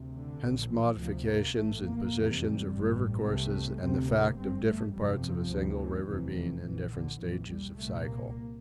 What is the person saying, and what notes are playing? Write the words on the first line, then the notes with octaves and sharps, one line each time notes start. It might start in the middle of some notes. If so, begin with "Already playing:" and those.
Hence modification in positions of river courses and the fact of different parts of a single river being in different stages of cycle.
Already playing: D2 C3
D3
A#1 A#2
E3
D2 C3 F3
A#3
A1 A2 A3
A#3
F1 E2 C3
G3
A1 G2
C2 C3 A3
D2 C3 C4
A#3
G1 G2 C4
A3
G1 F2 C3 G3
F3
D2 C3
E3
F1 E2 C3 E3
E3
A#1 A#2 E3
D3
A#1 A#2 E3
G3
C2 A#2 A3
A#3